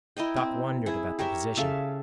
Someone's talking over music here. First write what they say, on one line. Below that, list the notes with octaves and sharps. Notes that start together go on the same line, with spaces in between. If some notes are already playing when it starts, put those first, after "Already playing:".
Doc wondered about the physician.
E4 A#4 D#5 G5
C4
E4 G#4
G4 A#4 C#5 E5
C#3 A4 E5 F5